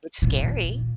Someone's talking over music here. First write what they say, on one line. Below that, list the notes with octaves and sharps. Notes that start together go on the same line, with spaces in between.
it's scary.
A#2